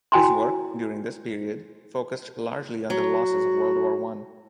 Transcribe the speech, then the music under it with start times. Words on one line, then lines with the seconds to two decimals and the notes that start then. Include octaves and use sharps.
His work during this period focused largely on the losses of World War One.
0.12 E4 F#4 G5 G#5 A#5 C6
2.90 F#3 F#4